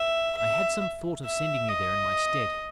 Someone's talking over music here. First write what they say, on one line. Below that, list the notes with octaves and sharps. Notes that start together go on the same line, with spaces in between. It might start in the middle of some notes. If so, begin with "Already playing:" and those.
I had some thought of sending you there in my stead.
Already playing: E5
E5
E5
D#5